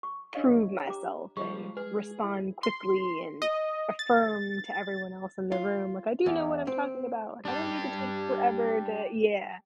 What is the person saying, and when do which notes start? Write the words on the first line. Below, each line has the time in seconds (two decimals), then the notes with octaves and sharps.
prove myself and respond quickly and affirm to everyone else in the room, like, "I do know what I'm talking about, like I don't need to take forever to" Yeah,
0.03 C#6
0.35 D4 C#5 D#5 F5
0.87 G4 A#5 D6
1.37 F3 G3 G#3 C#6
1.77 G#4 B4
2.24 E4
2.63 C6
3.42 D#5
3.99 A6
5.52 F4
6.26 E2
6.67 C4
7.45 G3 D4 G4